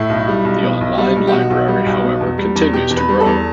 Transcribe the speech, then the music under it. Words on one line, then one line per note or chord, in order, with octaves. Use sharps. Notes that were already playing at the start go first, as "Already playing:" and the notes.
The online library, however, continues to grow.
Already playing: A2 E4
B1
G3
B1
B2
B1
G3
B1
G4
B2 F#4
B1
G3
B1
B2
E2
G3
E2
B2 G4
E2
B4
G3
A4
E2